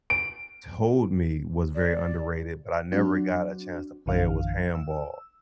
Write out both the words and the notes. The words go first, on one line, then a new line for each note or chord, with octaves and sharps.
told me was very underrated, but I never got a chance to play it, was handball,
D7
D5
F#3 C4 D4 F#4
A#1 F#2 D3 E3 F5
E6